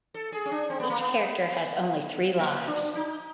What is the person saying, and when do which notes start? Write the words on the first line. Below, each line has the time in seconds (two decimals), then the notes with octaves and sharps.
Each character has only three lives.
0.14 A4
0.32 G#4
0.46 C#4
0.51 D4
0.70 C4
0.80 B3
0.90 A#3
0.99 B3
2.39 A#3
2.67 D4
2.95 D#4